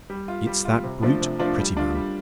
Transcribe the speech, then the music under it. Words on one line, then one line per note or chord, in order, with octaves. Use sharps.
It's that brute, Prettyman.
G3
F4
G3
F4
C3
F3 A3 D4 F4
C3
F3 A3 D4 F4
G3
D4 F4
G3